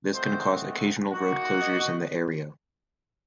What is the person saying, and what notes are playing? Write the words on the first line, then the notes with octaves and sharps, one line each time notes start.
This can cause occasional road closures in the area.
A3 C4 D#4 F#4 C5
A#3 D#4 F#4
D#5